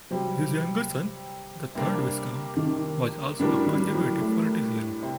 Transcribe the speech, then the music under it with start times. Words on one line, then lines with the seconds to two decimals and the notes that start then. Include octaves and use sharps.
His younger son, the third Viscount, was also a Conservative politician.
0.11 C3 F#3 G3 C4
1.75 C3 G3 A#3 D4
2.57 D#3
3.40 A2 D3 G3 D4 F#4 A#4
3.66 D#3
3.94 F#3
4.21 A3
5.02 C3